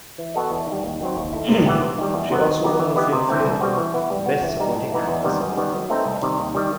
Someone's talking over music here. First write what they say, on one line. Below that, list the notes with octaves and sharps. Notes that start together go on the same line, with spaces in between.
She also won the Filmfare Best Supporting Actress Award for the latter.
E3
B3 F#4 A4 D#5
E2
D#3
G3
D#2
D#3 F#3 C4
D#2
D#3 A3 E4
C3
E3 B3 E4 G4
C3
D#3 G3
E2
C3 F#3 B3
D#3
F#3 B3 D#4 G4
E3
B3 E4 G4 D#5
C3
E3 A3 C4
C2
B2 G3 C4 F#4
E3
B3 E4
G3
B3 F#4
E3
G3 D#4
A2
E3 B3 D#4
E2
C3 D#3 G3 B3
F#2
D#3 G3 B3
F#3
A3 C4 D#4
C2
C3 D#3 G3
D#2
D#3 G3